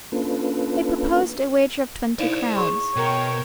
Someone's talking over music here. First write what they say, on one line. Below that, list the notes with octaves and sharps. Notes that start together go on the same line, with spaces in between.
They proposed a wager of twenty crowns.
A#3 C#4 D4 F4 A4 B4
D#4 E4 C5 D5 F5
G#4 C6 C#6
B2 A#4 C#5 G5